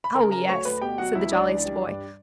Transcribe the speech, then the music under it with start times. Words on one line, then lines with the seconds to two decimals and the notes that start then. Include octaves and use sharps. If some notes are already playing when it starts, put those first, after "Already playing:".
"Oh, yes," said the jolliest boy.
0.04 B5
0.15 C#3 A#4 A#5
0.31 F#3 A#4 A#5
0.48 D2 C#5 C#6
0.65 D2 B4 B5
0.81 B2 G4 G5
0.98 F#3 F#4 F#5
1.15 C#2 E4 E5
1.32 C#2 D4 D5
1.48 E3
1.66 G3
1.83 G2